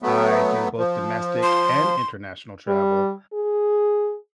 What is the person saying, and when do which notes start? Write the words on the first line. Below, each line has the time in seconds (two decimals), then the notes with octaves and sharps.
I do both domestic and international travel,
0.02 F#3 A3 B3
0.78 F3
1.43 C6
2.68 G3
3.34 G#4